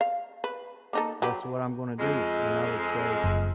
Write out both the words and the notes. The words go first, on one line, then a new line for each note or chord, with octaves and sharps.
that's what I'm gonna do," and I would say,
F5
B4
A#3 D#4 A4
F#3 G4 B4
F2 G#3
F#1